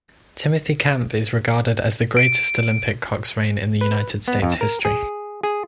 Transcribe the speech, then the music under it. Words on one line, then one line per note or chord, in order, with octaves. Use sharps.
Timothy Camp is regarded as the greatest Olympic coxswain in the United States history.
D7
B4
B3
F2
A#4
G#4
G#4